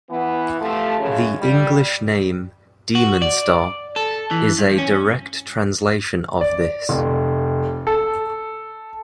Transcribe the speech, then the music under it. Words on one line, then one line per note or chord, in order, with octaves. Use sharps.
The English name "Demon Star" is a direct translation of this.
E3 B3
C3 F3 A3
F#2 C#3
G3
F#4
D5
A4
E3
G2
C#4
D5
F1
A4